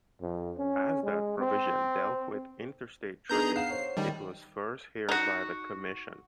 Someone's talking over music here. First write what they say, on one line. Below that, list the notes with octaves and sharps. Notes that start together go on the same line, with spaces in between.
As that provision dealt with interstate trade, it was first heard by the Commission.
F2
C#4
G#3
C4
B3 D4 D#4 G#4 A#5 G6
F5 F#5 C7 E7
C5 C#5
D#3 G3 D#5 G5
D#4 F#4